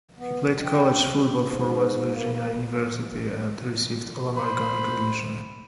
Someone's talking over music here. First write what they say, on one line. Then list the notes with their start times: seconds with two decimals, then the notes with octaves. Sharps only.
He played college football for West Virginia University, and received All-American recognition.
0.18 B3
0.51 F2
0.65 G5
1.16 G4
1.42 G#2
2.13 A#3
2.33 A#3
4.36 C5 B5 C6